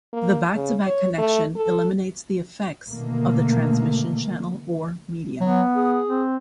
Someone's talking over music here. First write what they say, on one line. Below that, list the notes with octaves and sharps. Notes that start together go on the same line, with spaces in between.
The back-to-back connection eliminates the effects of the transmission channel or medium.
A#3
C#3
C#5
A3
A4
B2 D3 D#3 A3 A#3
F#3 B3
G#4
C4